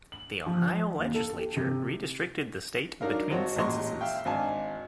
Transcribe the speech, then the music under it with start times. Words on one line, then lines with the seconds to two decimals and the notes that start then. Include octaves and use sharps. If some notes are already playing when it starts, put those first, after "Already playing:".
The Ohio Legislature redistricted the state between censuses.
0.12 F#7
0.46 F3
0.98 D#2
1.14 A4
1.39 G4
1.57 C3
3.01 F#3 D4 D#4 A#4 F5
3.30 G#1 C4 F#4 C#5
3.56 A1 A#2 G#3 D#5 C6 C#6
4.01 E5 F5 G5
4.25 G#1 D4 F5 G#5 A5